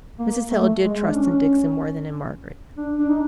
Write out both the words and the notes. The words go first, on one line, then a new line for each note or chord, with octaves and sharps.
Mrs. Hale did trust in Dixon more than in Margaret.
A#3
A3
G#3
D4
C#4
D4
D4
D#4